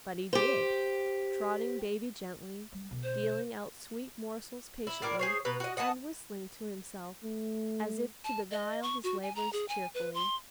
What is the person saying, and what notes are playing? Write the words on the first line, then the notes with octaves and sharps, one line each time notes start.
But he did, trotting baby gently, dealing out sweet morsels patiently, and whistling to himself, as if to beguile his labors cheerfully.
G4 C5
G3
B2 D3
C5
E4
A2 D4 A#4 D5
G#4 C5 C#5
B2 B4 A#5
F#4 D#5
D#5 F#5 G#5 A5
A3
A5
D#5
C#6
F#4
G#5
A#5
G#4
G#5
B4
C6